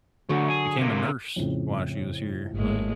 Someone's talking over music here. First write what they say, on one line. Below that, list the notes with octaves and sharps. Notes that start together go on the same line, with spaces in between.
became a nurse while she was here, like
D2 D3 F#3 C#5
G#4
C3 A#3
F2 A2 C#3
G#1 A2 G#3 A#3